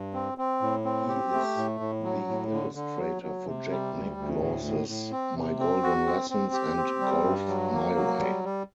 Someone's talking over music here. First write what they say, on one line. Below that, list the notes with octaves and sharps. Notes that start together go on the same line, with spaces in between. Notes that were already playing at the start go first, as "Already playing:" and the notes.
He is the illustrator for Jack Nicklaus's "My Golden Lessons" and "Golf My Way".
Already playing: G2
C4
C4
A2
C4
G4
A3
A2
A2
F#3
A2
D3
D3
F#3
F#3
C3
G3
D2
D2
A2
A2
A2
C4
C3
C4
F#4
C4
C4
G4
C4
G3
G2
F#3
A#3
F#3
G3
G3